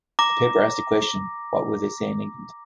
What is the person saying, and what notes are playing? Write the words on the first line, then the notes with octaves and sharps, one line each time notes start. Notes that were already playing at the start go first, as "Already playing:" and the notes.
The paper asked the question What will they say in England?
A#5 D6 A#6